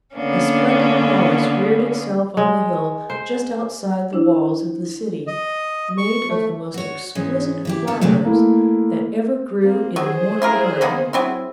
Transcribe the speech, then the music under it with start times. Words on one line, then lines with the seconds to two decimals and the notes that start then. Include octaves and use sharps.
A splendid palace reared itself on the hill just outside the walls of the city, made of the most exquisite flowers that ever grew in mortal garden.
0.16 D3 A#3 B3 C#4 D4
2.37 G#3
3.10 C5
4.13 D4 E4 C5 E6
5.27 D#5
5.98 C#6
6.29 A3
6.74 F#4 C#5
7.15 G#2 E3 G#3 C#4
7.65 E3 E4 G4
7.87 D2 D3 B3 E4 A4
8.01 C3 F#3 G#3 A3
8.23 A3 A#3 E4
9.61 A#3 C4
9.96 F#3 G#4 C5
10.42 E4 F4 A#4
10.81 A#3 B3 D#4
11.13 F#3 C4 E4